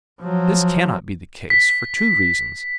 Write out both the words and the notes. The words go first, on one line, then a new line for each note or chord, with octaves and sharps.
But this cannot be the case for two reasons.
F3 F#3
B6